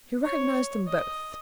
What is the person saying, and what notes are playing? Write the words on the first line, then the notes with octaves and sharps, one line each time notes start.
He recognised them both.
C#5
D#5